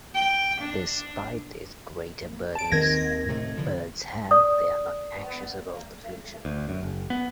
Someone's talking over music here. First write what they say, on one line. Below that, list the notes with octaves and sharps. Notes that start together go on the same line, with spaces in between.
Despite these greater burdens birds have, they are not anxious about the future.
G5
D4
A5 D7
D#2 D#3 C4 G#6 A#6
A2 C3 A3
D3 E3 F3
D5 D#6
D2
F#2
F#1
B3